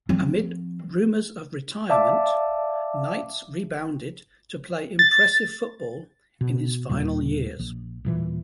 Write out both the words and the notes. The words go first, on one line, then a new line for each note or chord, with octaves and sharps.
Amid rumours of retirement, Knights rebounded to play impressive football in his final years.
F3 C4
D5 E5 F5 A5 D6
A6
B2
D#2 A#2 G3
A#1
D#1 A#2 E3